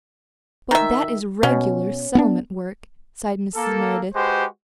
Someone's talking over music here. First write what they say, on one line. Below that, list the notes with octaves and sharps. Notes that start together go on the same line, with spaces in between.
"But that is regular settlement work," sighed Mrs. Merideth.
D#3 E5
B2 C#4
B3 C#4 D4
A#3 A4
G#3 F#4 G4 B4 C5